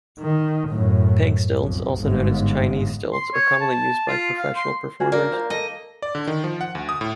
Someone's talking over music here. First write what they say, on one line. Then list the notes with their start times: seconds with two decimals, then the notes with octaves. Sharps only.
Peg stilts, also known as Chinese stilts, are commonly used by professional performers.
0.20 D#3
0.69 F#2 A2
1.59 B1 F2
1.97 G1 G#2
3.13 C6
3.34 C#5
3.61 A5
4.08 F4
4.38 F5
4.56 C6
5.00 F4 F#4 G#4
5.12 A#3 D4 D5
5.31 F4 C5 A#5
5.50 A4 D#5
6.02 D5
6.15 D3
6.27 D#3
6.44 F3
6.61 F#5
6.75 D2
6.89 D#6
7.01 A2